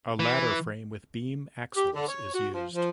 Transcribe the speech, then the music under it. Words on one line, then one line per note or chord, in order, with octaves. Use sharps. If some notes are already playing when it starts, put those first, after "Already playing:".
A ladder frame with beam axles is used.
E3
G4
D3
C#5
F#4
F3
F3